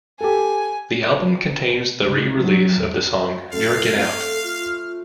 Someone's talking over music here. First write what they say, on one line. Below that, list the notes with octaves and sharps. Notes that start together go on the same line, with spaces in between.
The album contains the re-release of the song Jerk It Out.
G4 A4 G#5
C#2
F#3
E2
F#2 A3 A4 F5
A3 C4
F4 F6